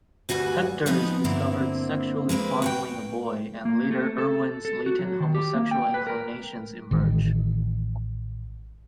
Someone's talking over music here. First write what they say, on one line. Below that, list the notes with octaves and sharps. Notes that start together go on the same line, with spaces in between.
Hector is discovered sexually fondling a boy and later Irwin's latent homosexual inclinations emerge.
D2 G2 G3 F#4 G#5
F3 B3 C4 D#4 B4
G2 D3 A#3 C4 E4
G#3 A#3 C4 B4
F#4 A#4 G5
A#3
A3
A4
A4
F#4
F#3
D#3
G4
A#3
G5
B4
A#4
A1 D#3 E3